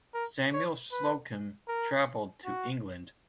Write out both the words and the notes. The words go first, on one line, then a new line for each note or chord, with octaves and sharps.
Samuel Slocum traveled to England.
A#4
C#5
B4
A#4
F#4